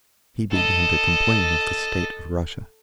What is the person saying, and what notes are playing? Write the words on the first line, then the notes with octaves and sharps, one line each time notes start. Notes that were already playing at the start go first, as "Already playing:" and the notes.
He began to complain of the state of Russia.
A4 D#5